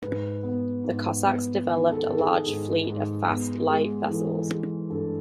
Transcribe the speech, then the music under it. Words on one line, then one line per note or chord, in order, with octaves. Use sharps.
The Cossacks developed a large fleet of fast, light vessels.
G#2 B4
B3
G#2
B3
D#3
A4
D#3
G#4
G#2 G#4
G#2
B3
G#3
E3 A4
G#3
G2 A4